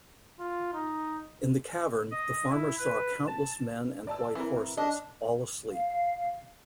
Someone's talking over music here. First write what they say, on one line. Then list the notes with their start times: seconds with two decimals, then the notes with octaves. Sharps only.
In the cavern, the farmer saw countless men and white horses, all asleep.
0.39 F4
0.74 D#4
2.11 D#5
2.50 E4
2.79 B4
3.27 A5
4.07 D5 A5 E6
4.35 E3 C4 E4 A#4
4.77 D4 D#5
5.70 F5